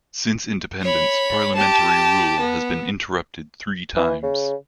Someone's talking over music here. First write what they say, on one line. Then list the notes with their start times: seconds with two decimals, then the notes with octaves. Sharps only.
Since independence, Parliamentary rule has been interrupted three times.
0.82 C#5 B5
1.55 G4 A5
2.40 B3
3.96 E3
4.23 C#3